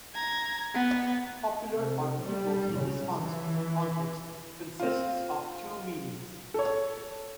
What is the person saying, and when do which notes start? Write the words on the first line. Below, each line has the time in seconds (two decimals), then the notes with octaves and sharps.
"Popular" or "people's" in this context consists of two meanings.
0.15 A#5 G#6
0.74 B3
1.71 C3
2.23 G3
2.75 C#3
3.22 E3
4.80 C4 F4
6.54 A4 C#5